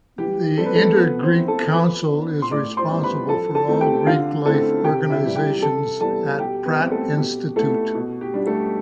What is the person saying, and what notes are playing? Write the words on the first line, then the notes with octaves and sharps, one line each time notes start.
The Inter-Greek Council is responsible for all Greek life organizations at Pratt Institute.
E3 G4
G3 C4 A4
B4
A3 A4
F3 B3 B4
C4 C5
C4 E4
A4 A5
F3 B4 B5
B3 D4
C6
A2 D5 D6
C5 C6
G3 B3 E4
B4 B5
F3 A4 A5
A4 A5
A3 C4 E4
G4 G5
D3 F4 F5
A3 C4 E4 A4 A5
C3 G4 G5
E4 E5
E3 G3
G4 G5
C3 A4 A5
E3 G3 B3 A4 A5
B2 G4 G5
B3 B4
G3 C4 E4
A3 A4
B2 G4
A3 B3 E4 A4
B2
G4
G3 D4
A3 A4